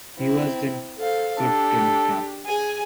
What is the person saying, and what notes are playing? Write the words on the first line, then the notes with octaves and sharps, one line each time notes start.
He was then cut training camp.
C4 E4
A4 C5 F5
D4 G4 A4
G#4 G#5